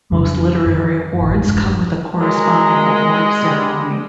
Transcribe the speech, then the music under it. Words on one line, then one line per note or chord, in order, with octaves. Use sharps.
Most literary awards come with a corresponding award ceremony.
F2 C#3 F#3 D4
F#2 D#3
A1
E1 G2 G#3
A#2 F#3 G#3 A#4
G3